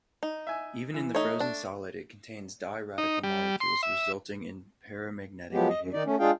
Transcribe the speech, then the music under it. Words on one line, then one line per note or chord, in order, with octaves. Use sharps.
Even in the frozen solid it contains di-radical molecules resulting in paramagnetic behavior.
D#4
E5 G#5
E3
A3 D#4 C#5
D4
D#4
G3
C6
E5
F3 F#3 G#3 B3 G4
D#5
F#2
D#3 D#4 D5
A3 C#4
G#3 D4 F4 G#4 F5 G5